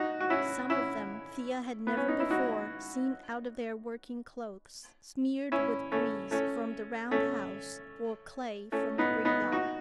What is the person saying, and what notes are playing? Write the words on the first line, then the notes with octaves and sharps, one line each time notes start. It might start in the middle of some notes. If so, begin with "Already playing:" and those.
Some of them Thea had never before seen out of their working clothes, smeared with grease from the round-house or clay from the brickyard.
Already playing: D#4 F#4
F#4
C#4 E4
C#4 E4
B3
C#4
D#4
E4
D#4 F#4
C#4 E4
A3 C#4
A3 C#4
A3 C#4
A3 C#4
B3 D#4
B3 D#4
D#4 F#4